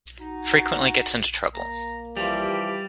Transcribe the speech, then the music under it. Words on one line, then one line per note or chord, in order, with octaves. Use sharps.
Frequently gets into trouble.
D#4 F#4
A#3 A#5
E3 F3 G3 G4 D6